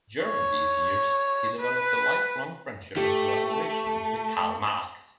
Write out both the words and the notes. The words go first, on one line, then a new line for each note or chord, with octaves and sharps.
During these years, he developed a lifelong friendship and collaboration with Karl Marx.
C#5
B4
A3 G4